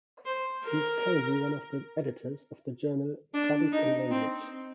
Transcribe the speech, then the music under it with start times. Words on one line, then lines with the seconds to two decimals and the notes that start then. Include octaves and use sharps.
He is currently one of the editors of the journal "Studies in Language".
0.25 C5
0.65 A#4
3.34 D4
3.73 D#4
4.11 C4